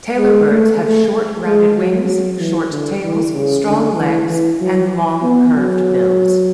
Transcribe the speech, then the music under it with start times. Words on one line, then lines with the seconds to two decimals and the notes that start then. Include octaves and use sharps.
Tailorbirds have short rounded wings, short tails, strong legs and long curved bills.
0.18 G#3
0.49 A3
0.81 A3
1.44 G#3
1.76 F#3
2.08 F#3
2.39 E3
2.71 D3
3.02 E3
3.34 C#3
3.65 D3
3.98 E3
4.28 E3
4.60 F#3
5.23 B3
5.55 F#3